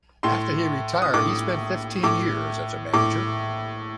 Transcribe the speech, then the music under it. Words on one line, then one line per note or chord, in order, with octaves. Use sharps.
After he retired, he spent fifteen years as a manager.
A2 C6
D#6
A2 D6
A2 D6
A2 D6